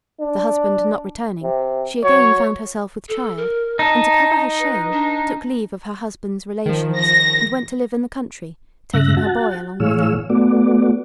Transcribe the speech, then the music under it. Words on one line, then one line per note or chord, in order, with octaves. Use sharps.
The husband not returning, she again found herself with child, and to cover her shame, took leave of her husband's relations, and went to live in the country, taking her boy along with her.
D4
C3
F#3 C#5
A4
A#4
D#4 A5
B4
D4
D#3 F3
A#6
G2 C#3 E5 F#6 A#6
F#4 F#5 A5
A2 E3 G#4 C#5 F5 E6
A3 B3 F#4 D5